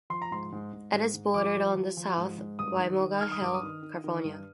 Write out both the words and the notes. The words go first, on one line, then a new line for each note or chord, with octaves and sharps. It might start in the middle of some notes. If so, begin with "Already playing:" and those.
It is bordered on the south by Morgan Hill, California.
F3 C6
A#5
G#2 C6
G#2
G#2
G#2
G#2
F3 D6
F3
F3
F3
G#2
G#2
G2 D#6
D#3
D#3
D#3 F6
D#6
G2 D6
D#6
D#3
D#3
D#3
G2